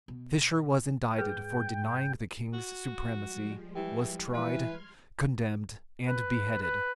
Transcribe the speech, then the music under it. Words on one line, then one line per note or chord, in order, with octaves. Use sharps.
Fisher was indicted for denying the king's supremacy, was tried, condemned, and beheaded.
B2
G#2 G#4 B4 G5
F#4
F3 G3 G#3
E3 E4 G4 G5
E3 B4 C6 F6 G#6
B4
B4